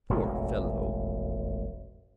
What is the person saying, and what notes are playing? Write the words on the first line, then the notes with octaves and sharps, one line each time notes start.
Poor fellow!
E1 A1 F2 G#3